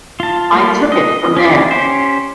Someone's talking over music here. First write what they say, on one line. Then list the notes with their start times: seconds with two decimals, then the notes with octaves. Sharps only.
I took it from there.
0.20 F4 A5
0.52 G3 A3 A#3 F4
0.92 D#5
1.37 C#4 G4 D5
1.71 C#4 G4 C5